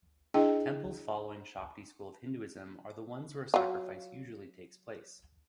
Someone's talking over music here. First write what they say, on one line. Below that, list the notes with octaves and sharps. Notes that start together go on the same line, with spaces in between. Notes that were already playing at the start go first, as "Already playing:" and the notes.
Temples following Shakti school of Hinduism are the ones where sacrifice usually takes place.
D4 E4 G#4 D#5 G5
F#3 F4